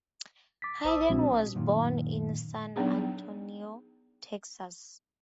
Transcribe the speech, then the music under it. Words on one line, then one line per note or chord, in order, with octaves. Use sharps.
Hayden was born in San Antonio, Texas.
D6 A6 B6
A#1 C5 A5 D#6 E6
A#2 F3 G#3 C4 D4 F#4
F#2 A#2 D#3
F#3 B3 D4 D#4 G#4